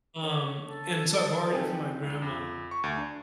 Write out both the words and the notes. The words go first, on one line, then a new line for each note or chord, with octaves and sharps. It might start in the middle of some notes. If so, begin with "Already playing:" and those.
um, and so, I borrowed it from my grandma,
D3 C#5
A4
E3 C4 D#4 G4 G#5
C#2
F2
C#6
D2
D4